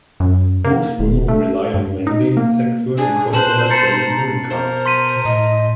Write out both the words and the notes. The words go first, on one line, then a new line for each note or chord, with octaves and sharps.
Most women rely on vending, sex work and cross-border trading for income.
F#2
A#3
D#1
A3
G2
D#4
A#3
D4 G#4
B2 B4 C5 A5 E7 F#7
A#5 A6 C7 C#7
A#4 C5
C6 B6 D#7
A2 D#5